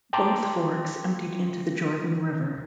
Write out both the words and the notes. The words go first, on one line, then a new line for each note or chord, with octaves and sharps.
Both forks emptied into the Jordan River.
G5 A5 A#5 C6 D6